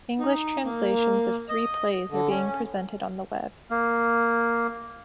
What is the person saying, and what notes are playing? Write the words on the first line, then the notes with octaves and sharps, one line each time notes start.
English translations of three plays are being presented on the Web.
D#4
A#3
D#5
D3
C#4
A#3